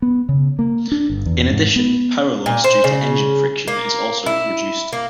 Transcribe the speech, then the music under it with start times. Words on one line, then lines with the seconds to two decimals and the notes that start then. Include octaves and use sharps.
In addition, power loss due to engine friction is also reduced.
0.02 B3
0.29 C#3
0.59 A#3
0.92 D4
1.10 G1
1.26 E2
1.51 G#2
1.76 B3
2.46 A#2
2.64 C5
2.84 C#3
3.68 A#3
4.26 E4
4.93 A#3